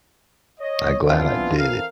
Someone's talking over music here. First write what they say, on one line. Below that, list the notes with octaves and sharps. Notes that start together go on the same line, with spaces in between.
I glad I did it.
C#5 D#5
E3 B3 C4 D4 F4
E3 C4 A4 A#4 F5